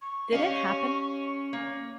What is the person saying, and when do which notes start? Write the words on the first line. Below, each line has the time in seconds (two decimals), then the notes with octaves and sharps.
Did it happen?
0.02 C#6
0.32 C#4 G4 D#5 F5
1.53 A#3